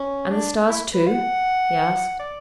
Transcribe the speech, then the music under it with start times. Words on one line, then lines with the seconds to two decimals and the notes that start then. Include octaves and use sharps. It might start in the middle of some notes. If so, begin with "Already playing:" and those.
"And the stars, too?" he asked.
Already playing: C#4
0.32 D4
0.70 E4
0.94 B4
1.07 F#5
2.19 D5